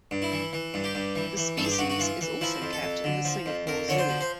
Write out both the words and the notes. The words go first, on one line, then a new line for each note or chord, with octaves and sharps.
The species is also kept in the Singapore Zoo.
G2
E4
E3
E3
G2
G4
G2
E3
E3
G2 A4
G#4
G4
G2 F#4
F#4
E3 F4
E3
F3 E4
F2
A4
F2
D3
F3
F2
F2 A#4
D3 C#5
C5
F3
C5